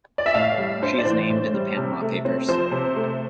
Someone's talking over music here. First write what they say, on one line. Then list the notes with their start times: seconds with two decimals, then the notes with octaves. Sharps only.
She is named in the Panama Papers.
0.18 D5
0.26 E5
0.34 A2 F5
0.58 G3
0.82 D4 C5
0.98 D5
1.05 E3 C5
1.29 A2
1.54 G3
1.77 C3
2.01 A3
2.25 C4
2.48 F3 C5
2.71 C3
2.95 A3